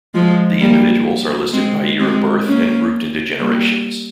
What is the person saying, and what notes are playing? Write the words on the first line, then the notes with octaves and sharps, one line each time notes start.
The individuals are listed by year of birth and grouped into generations.
F3 G#3
G3 A#3
G#3 C4
G#3 C4
A#3 C#4
G3 A#3